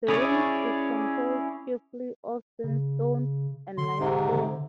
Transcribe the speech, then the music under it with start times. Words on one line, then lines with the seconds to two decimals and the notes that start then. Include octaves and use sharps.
The range is composed chiefly of sandstone and limestone.
0.08 C#4 E4 G#4 C#5 D5
2.64 C#3
3.78 D3 C6
3.99 G#2 C3
4.32 D3